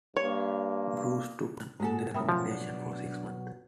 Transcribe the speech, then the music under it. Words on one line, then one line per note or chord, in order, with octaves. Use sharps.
Bruce took no action on the recommendations for six months.
G2 A#3 C#5
G#2 G#3 A#3 F#4 A4
A2 C#3 G3 A#4 E5 G5 B5 D#6
B2 F3 F#3
D4